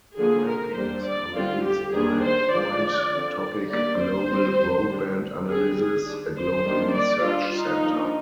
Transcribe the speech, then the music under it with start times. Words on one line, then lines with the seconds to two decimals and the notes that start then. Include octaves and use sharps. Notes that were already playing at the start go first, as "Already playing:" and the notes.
The rankings are released by Point Topic Global broadband analysis, a global research centre.
0.17 D3 F3 A#3 G#4
0.48 A#4
0.76 G3 A#3 D4 C5
1.06 D5
1.35 D3 G3 C4 F4
1.65 G4
1.95 D#3 G3 A#3 D4 G#4
2.24 C5
2.53 F3 G#3 D4 D5
3.12 D3 F3 C4
3.71 G3 A#3 D4 D5
4.00 C5
4.30 G3 C4
4.88 G3 D4
5.48 G3 C4 G#4
5.77 G#4
6.06 G3 D4
6.36 C5
6.65 D#3 G3 A#3 D4
6.94 D5
7.24 G3 D4 F4
7.54 D#4
7.83 F3 A#3 D4